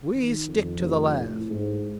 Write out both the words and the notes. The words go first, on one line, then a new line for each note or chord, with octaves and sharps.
We stick to the last.
D#3
F2
F1
A2
G#2